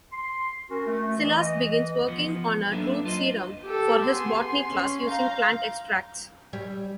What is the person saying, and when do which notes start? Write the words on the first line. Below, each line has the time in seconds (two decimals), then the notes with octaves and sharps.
Silas begins working on a truth serum for his Botany class, using plant extracts.
0.12 C6
0.69 C#4 F#4 A#4
0.86 A3
1.18 E3 D#5
2.08 F3 B3
2.71 F#3 A#3 D4 A4 B4 E5
3.05 F4 B4 C5 D#5
3.64 G4 A4
4.05 B3 G#4 G#5 C6
4.66 C#4
5.06 F5 A#5 G6
6.53 G3